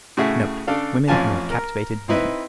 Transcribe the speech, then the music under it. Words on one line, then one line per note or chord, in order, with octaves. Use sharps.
Note, Women who have captivated men.
A2 C#3 F#4 G#4 E5
C#3 D4 A4 F5
A1 F2 C#4 F4 G#5 A5
A#4
C4 D#4 E4 B4